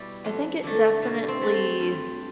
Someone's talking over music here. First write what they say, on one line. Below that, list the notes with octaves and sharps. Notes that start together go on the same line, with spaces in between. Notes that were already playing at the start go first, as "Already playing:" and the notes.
I think it definitely
Already playing: B2 G3 E4
F2
D3 F#3 A3
B2
C4
F#3 A3
C4
G2